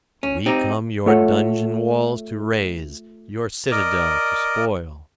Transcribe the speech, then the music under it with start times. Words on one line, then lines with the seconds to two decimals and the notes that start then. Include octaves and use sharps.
We come your dungeon walls to raze, your citadel to spoil!
0.23 C#4
0.46 C4 D#4 G4
1.06 A3 F4 A4 C#5 F#5
3.71 A#4 D5 D#5